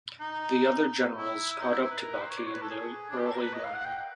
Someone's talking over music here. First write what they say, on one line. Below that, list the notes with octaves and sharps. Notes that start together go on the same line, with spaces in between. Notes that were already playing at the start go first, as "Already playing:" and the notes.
The other generals caught up to Baqi in the early morning.
D#4
E4
E4
D#4
E4
E4
B4
A#4
B4
C5
C#5
D5
C#5
B4
A4
G#4
D4
G4
A4
A#4
B4
D#5
F5
F#5
G5